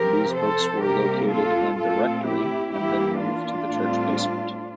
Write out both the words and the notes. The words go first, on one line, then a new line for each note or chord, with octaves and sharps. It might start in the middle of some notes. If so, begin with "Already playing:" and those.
These books were located in the rectory and then moved to the church basement.
Already playing: C3 F3 C4 G4 A#4
A4 C5
C3 G3 A#3 G4 A#4
F4 A4
A#2 A3 C4 F4 A4
E4 G4
E3 A#3 E4 G4
D4 F4
A2 G3 C4